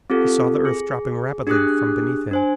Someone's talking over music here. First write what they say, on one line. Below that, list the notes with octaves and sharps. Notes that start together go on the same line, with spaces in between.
He saw the earth dropping rapidly from beneath him.
C4 F4 G4 A4
G#4
D4 G4 G#4 D#6 F#6
D4 C5 G#5